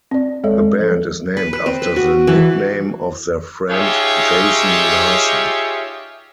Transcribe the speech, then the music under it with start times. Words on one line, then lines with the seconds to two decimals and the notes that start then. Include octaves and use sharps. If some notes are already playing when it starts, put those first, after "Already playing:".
The band is named after the nickname of their friend, Jason Larsen.
0.11 C4 D5
0.44 G#3 A4 C#5 D#5
0.80 F3 A4
1.37 B4
1.53 B4
1.66 C4
1.82 B4
1.96 F#4
2.27 E3
3.71 D#4 F4 G4 G#4 C#5 E5